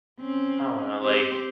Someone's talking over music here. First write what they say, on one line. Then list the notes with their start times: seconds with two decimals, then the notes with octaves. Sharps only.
I don't know, like,
0.20 C4 C#4
1.02 C4 G4 C5